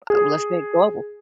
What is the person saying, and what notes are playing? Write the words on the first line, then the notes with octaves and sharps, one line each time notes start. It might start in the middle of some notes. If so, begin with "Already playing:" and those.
a well, let's say global.
G#4